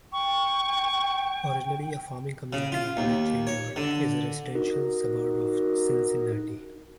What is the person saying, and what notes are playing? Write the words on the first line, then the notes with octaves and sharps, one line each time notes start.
Originally a farming community, today Cheviot is a residential suburb of Cincinnati.
G5 C#6
C#3
F4
D#2
C#5
D3
D#4 F#4 A#4